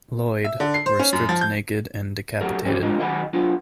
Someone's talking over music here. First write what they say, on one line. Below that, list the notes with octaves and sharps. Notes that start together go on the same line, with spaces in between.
Lloyd, were stripped naked and decapitated.
E5
D3
C7
C5
C#4
F#2
F3
G6
F#3 G3 F#4 A4 A#4
F#3 G3 C4 C#4 F#4
G#3 D4 F4 A#4 D#5
D#3 F#3 D#5 F#5 G#5 B5
F#3 B3 D4 F4